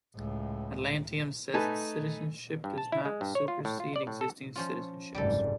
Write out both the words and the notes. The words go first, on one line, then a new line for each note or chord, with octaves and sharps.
Atlantium says its citizenship does not supersede existing citizenships.
C#2 A2
A3 D#4 B4 G#5 A5
G2
A5
E4
G#3
G2
C#5
F4
A2
F4
D5
A2
A4
F3 C#4 F4
F#1 C2 G#2 G3 G4 A4